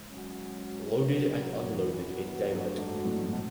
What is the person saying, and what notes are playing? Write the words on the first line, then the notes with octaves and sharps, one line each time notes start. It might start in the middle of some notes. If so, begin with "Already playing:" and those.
Loaded and Unloaded in Daylight.
Already playing: G#2
F#3 C#4 F#4
F#3 B3 F#4
F#2
E2 E3 B3 F#4
F#2 D3 A3 D4 F#4
G#2
A2
A2
B2